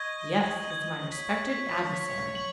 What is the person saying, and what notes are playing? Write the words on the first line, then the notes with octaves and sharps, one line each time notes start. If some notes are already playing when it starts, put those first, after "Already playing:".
"Yes; it's my respected adversary."
Already playing: D#5 C#6 G#6
F#7
G#6
C#5 B6
B6
B6
F#7